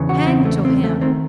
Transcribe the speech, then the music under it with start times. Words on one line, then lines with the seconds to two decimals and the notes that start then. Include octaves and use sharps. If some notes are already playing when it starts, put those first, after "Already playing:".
Hang to him!
Already playing: E2 C#3 E3
0.09 F#4
0.27 C4
0.45 A3
0.65 C4
0.84 A3
1.01 D#3 C4